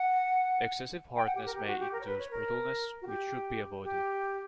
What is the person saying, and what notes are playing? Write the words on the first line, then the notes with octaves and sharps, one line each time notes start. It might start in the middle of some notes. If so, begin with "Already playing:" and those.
Excessive hardness may induce brittleness, which should be avoided.
Already playing: F#5
G5
F#5
G4
A#4
G4
F#4
G4
A#4
C#5
B4
C#5
A#4
F#4
G4
G4